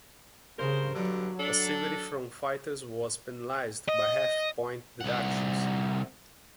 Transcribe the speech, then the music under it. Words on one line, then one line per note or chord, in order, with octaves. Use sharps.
Passivity from fighters was penalized by half point deductions.
G2 C#3 A#4 C5
G2 B2 D3 F#3
D4 A4
D#5
C2 F#5